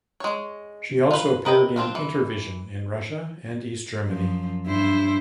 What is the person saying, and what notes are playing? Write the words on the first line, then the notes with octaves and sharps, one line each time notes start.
She also appeared in "Intervision" in Russia and East Germany.
G#3 C#5
F4 B4
A#4 B4 D#5 G5
C4 D4 F4
E3
F#2 F3
G2 E4 C5